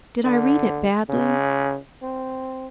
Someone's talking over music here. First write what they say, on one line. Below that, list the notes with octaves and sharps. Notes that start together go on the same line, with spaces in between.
Did I read it badly?
D3
C#3
C4